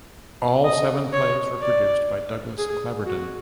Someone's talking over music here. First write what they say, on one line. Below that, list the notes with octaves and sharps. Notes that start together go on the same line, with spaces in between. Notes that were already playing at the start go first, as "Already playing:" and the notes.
All seven plays were produced by Douglas Cleverdon.
D#5
C#5
D5
G#4
F#4